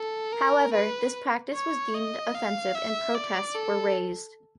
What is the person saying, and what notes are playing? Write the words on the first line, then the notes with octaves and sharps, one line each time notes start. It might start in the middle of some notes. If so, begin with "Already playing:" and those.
However, this practice was deemed offensive and protests were raised.
Already playing: A4
A#4
B4
C#5
D#5
F5
E5
D5
A4